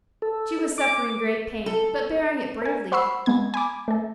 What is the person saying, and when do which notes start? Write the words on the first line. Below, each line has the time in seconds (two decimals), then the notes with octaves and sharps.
She was suffering great pain, but bearing it bravely.
0.22 A4
0.78 D6
1.66 A4
2.62 A#4 G#5
2.92 C5 F#5 B5 C#6 E6 C7
3.26 G#3 B3 G#6
3.54 G#5 B5 D6
3.88 A3 A4